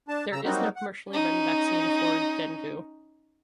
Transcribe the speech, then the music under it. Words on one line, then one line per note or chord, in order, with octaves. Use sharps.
There is no commercially ready vaccine for dengue.
D4 A5
C#3 A#5 E6
F#3 G3 A#3 C4 D#4 F#4
F#5
C#4 D#4